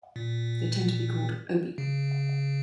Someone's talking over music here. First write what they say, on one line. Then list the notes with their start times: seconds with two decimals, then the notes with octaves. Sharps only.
They tend to be called "Obi".
0.16 A#2
1.78 C#3